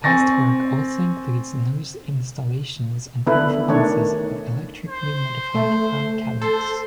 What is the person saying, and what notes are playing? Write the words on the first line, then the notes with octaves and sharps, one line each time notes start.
Past work also includes noise installations and performances with electrically modified file cabinets.
C4 G#5 C#6 A6 A#6
D3 B3 E4 A4 B4
D#3 A3 D4 C#5
C5
A3
A4 C5